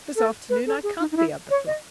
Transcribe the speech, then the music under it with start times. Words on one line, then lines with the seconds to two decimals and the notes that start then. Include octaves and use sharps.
This afternoon I count the other flock.
0.16 A4
0.50 B4
0.67 A4
0.83 G#4
1.00 D#4
1.12 D#4
1.17 E4
1.50 C#5
1.67 D#5